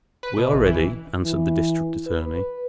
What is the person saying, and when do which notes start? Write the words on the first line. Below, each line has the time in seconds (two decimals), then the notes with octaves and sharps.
"We are ready," answered the District Attorney.
0.23 B4
0.38 B2
0.53 A1
0.66 E3
1.23 E3
2.07 B4